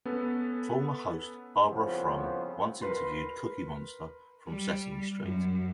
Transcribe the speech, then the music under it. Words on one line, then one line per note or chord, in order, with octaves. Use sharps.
Former host Barbara Frum once interviewed Cookie Monster from "Sesame Street".
B3 C#4 A4 B4
C2 F2 C#3 B3 C5
A#4 B4 C6
G3
F#2